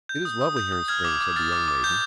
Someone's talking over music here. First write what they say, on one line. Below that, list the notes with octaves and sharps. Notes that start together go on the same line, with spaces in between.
"It is lovely here in spring!" said the young maiden.
G6
D#6
D#6
G6
D#6
F6 G#6
D6
D6
F6 A6
D6
D6
G6